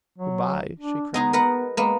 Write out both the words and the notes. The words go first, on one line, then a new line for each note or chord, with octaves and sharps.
"Good-bye!" she cried.
F#3
D4
G#3 B3 D#4 G#4
A#4 B4 F#5
G#3 A#3 B3